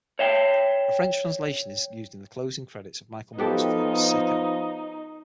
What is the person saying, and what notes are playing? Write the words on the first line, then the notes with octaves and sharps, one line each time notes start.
A French translation is used in the closing credits of Michael Moore's film "Sicko".
C#5 E5 G5
F3 B3 D#4 F#4 G4 A4